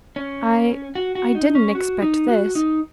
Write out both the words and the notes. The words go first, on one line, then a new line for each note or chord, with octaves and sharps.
I--I--didn't expect this.
C#4
F#4
F#4
D#4
C#4
F#4
D#4
F#4
D#4